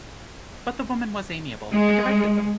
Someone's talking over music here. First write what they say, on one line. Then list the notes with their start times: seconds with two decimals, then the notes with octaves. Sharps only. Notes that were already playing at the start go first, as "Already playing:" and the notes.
But the woman was amiable, and directed them.
1.72 G#3